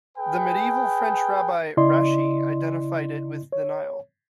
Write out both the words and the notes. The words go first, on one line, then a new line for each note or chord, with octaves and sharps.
The medieval French rabbi Rashi identified it with the Nile.
G#4 B4 G5
C#3 E4 D5 D#5 C6
C#5